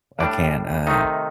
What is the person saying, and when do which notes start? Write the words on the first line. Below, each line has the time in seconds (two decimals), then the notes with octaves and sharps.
I can't, uh,
0.20 A2 G3 D4 D5
0.87 C3 D#3 A3 D#4